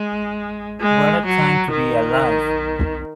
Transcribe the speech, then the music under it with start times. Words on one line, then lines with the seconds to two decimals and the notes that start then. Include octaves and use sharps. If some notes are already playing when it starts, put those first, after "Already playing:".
What a time to be alive.
Already playing: G#3
0.80 G#3
1.26 F#3
1.71 D#3